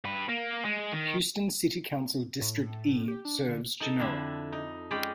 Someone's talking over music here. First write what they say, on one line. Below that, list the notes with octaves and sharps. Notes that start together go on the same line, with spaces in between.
Houston City Council District E serves Genoa.
G2 B4
A#3
G#3
D#3
A2
G4
D4
D3
D#4 A4 A5
F2 D3 D4 E4
D#4
G#3 C#4 D5 G5 B5